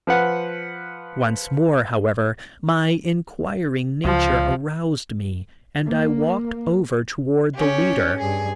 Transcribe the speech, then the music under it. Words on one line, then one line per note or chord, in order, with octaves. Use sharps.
Once more, however, my inquiring nature aroused me and I walked over toward the leader.
F3 B4 F#5
C#2 F3
A#3
C#4 G4
G2 G#4